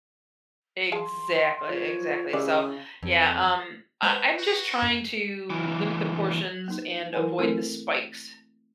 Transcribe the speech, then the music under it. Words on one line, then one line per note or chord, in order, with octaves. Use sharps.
Exactly, exactly, so, yeah, um, I I'm just trying to limit the portions and avoid the spikes,
G#4 F5 A5 C6
F3 C#5
C#3 G3 G#3 E4 D5
F2
G#3 B4 C5 F#5 G6
F#4
F#2
C#2 E3
A#3 D#4
E3 E4 A#4 B4 F#5 G#5
A3 A#3 C4 E4 A4 A#4